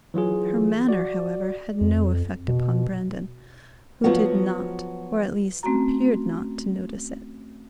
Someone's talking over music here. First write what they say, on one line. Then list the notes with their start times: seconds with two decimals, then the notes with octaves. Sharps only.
Her manner, however, had no effect upon Brandon, who did not, or at least appeared not to notice it.
0.14 E3 F#3 F4 G#4
0.89 F#4 D5
1.81 F2
2.48 B2
4.04 F3 F#3 B3 F#4
5.63 A3 C4 C#4 F#4 A#5